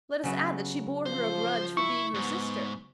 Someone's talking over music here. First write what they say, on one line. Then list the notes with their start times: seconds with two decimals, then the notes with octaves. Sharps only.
Let us add that she bore her a grudge for being her sister.
0.24 C#3 F#3 B3
1.06 F3 C5
1.77 E4 C#6
2.14 G#2 B3